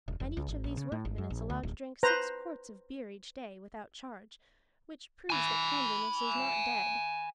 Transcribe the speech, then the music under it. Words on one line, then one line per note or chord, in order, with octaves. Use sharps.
And each of these workmen is allowed to drink six quarts of beer each day, without charge, which proves that kindliness is not dead.
D#1
F1
C#2
G#1
A#1
C#3
A2
G1
F#2
A#1
D2
D1
B4 C5 A#5
G#5 B5